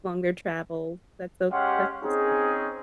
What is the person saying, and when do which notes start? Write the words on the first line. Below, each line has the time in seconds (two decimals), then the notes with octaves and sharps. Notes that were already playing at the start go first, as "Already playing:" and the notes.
along their travel. That's so that's so sweet.
1.51 G#3 C#4 G4 F5 F#5 C6
2.04 C4 C#4 D#4 G#4